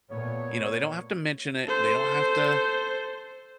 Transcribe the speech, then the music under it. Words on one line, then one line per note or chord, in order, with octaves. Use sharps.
you know, they don't have to mention it, they don't have to
A#2 A3 B3 C#5
A4 C5